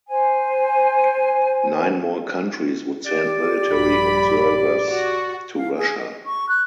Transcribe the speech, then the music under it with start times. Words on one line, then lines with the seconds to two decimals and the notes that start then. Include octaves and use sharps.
Nine more countries would send military observers to Russia.
0.09 C5 G#5
3.06 G4 D5
3.70 A#1 G2 B5
4.88 F#4
5.56 F5
5.77 G#4
5.98 D#5
6.25 C#6
6.49 F#6